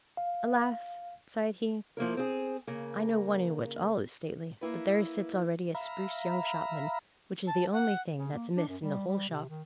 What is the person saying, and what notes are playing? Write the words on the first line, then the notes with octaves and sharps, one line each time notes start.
Alas!" sighed he, "I know one in which all is stately; but there sits already a spruce young shopman, which is the only thing that's amiss in the whole shop.
F5
F3 A#3 E4 A#4
C4 G#4
C#3 A#3
A#3 E4 B4
E5 F5 A#5 B5
A5
F#5
C#3
A#3
D4
F#2
G3
G3
C3
D#3